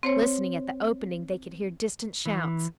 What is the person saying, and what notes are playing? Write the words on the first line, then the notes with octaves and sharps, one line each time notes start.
Listening at the opening they could hear distant shouts.
C4 C5 C#5
E3